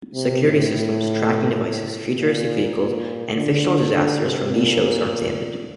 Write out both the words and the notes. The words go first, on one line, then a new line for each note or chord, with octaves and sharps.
Security systems, tracking devices, futuristic vehicles and fictional disasters from these shows are examined.
C3
A2
A#2
A#2
D3
D3
C3
A#2